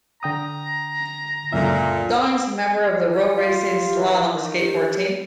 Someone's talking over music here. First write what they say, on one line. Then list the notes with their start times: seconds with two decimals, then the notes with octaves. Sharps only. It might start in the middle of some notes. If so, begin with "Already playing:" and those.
Dong is a member of the RoeRacing Slalom Skateboard Team.
0.23 D3 G5 A#5 D#6
1.52 C#2 F#2 A#2 D3 E5
3.13 G4
3.37 F4
3.96 E3
4.34 D#3
4.59 G4